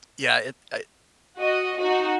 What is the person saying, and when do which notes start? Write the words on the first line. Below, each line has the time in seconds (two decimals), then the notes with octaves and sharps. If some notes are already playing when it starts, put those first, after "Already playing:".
Yeah, it I uh,
1.39 F#4 D#5
1.80 D#4 F#4